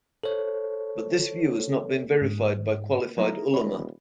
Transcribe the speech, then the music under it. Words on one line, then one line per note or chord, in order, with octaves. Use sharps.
But this view has not been verified by qualified ulama.
A4 C5 C#5
G#2
F#3 A#3 D#4 E4 A#4
D#1 C#5 B5